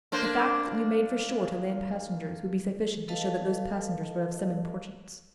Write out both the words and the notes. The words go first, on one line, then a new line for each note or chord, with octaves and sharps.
The fact that you made for shore, to land passengers, would be sufficient to show that those passengers were of some importance.
A#3 D4 C5
A4 B4 D#5 F5 A5